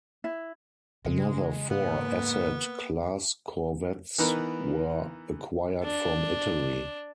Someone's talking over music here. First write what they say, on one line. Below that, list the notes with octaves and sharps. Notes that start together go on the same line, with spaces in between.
Another four Assad class corvettes were acquired from Italy.
E4
C#3 G#3
G#2 A#3 B3
E3 B3 D#4 A#4 B4
D4